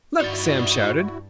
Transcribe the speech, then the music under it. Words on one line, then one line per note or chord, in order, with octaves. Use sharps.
"Look!" Sam shouted.
G2 D#4 E4 F#4 D5 F5 A6